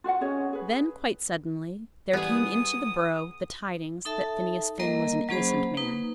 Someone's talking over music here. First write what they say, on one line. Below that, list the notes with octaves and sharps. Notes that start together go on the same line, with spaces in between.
Then, quite suddenly, there came into the borough the tidings that Phineas Finn was an innocent man.
F4 F#4 F5 F#5
C#4 G#4 C#5 D#5
G#4 B4
E3 G3 B3 G#4 D#6
D#4 A4 E5 A5
G3 A#3 A#4 D#5 A#5
F#3 A#3 C#4 G#4 C5 B5
A#3 D#4 B4